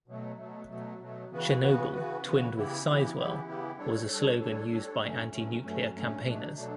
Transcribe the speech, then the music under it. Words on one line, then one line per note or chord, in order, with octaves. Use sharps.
"Chernobyl twinned with Sizewell" was a slogan used by anti-nuclear campaigners.
B2 F#3 A3
B2 F#3 A3
B2 F#3 A3
B2 F#3 A3
C#3 E3 B3 F#4 B4
C#3 E3 B3 F#4 B4
C#3 E3 B3 F#4 B4
C#3 E3 B3 F#4 B4
C#3 E3 B3 E4 G4
C#3 E3 B3 E4 G4
C#3 E3 B3 E4 G4
C#3 E3 B3 E4 G4
G3 D4 A4 C#5
G3 D4 A4 C#5
G3 D4 A4 C#5
G3 D4 A4 C#5
G2 F#3 A3 C#4
G2 F#3 A3 C#4
G2 F#3 A3 C#4
G2 F#3 A3 C#4
B2 F#3 A3 D4
B2 F#3 A3 D4